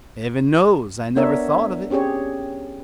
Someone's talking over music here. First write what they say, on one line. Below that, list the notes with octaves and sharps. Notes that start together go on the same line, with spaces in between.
Heaven knows I never thought of it.
B3 D4 A#4 C#5 E5
C4 C#4 G4 G#4 C#5